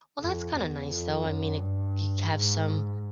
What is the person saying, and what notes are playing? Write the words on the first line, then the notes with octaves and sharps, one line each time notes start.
Well, that's kinda nice, though. I mean, i you have some
F2
E2
F2
F#2
G2
G#2